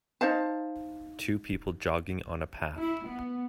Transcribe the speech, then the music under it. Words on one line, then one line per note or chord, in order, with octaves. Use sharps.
Two people jogging on a path.
D#4 C5 F5 A5
E4
B3